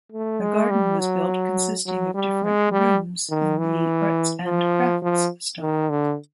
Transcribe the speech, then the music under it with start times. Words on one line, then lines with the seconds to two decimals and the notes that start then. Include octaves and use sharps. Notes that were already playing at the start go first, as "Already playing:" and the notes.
A garden was built consisting of different "rooms" in the Arts and Crafts style.
0.12 A3
0.41 G#3
0.70 G3
0.99 F#3
1.86 F#3
2.15 G3
2.43 G#3
2.72 G3
3.30 D#3
3.58 E3
4.45 F3
5.02 F3
5.61 D#3
5.90 D3